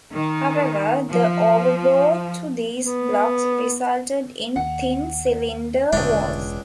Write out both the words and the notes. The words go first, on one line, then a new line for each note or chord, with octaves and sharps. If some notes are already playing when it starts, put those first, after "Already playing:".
However, the overbore to these blocks resulted in thin cylinder walls.
D#3
F3
B3
D#2 F#5
E1 C#2 A2 D3 G#3 A3 D4 D5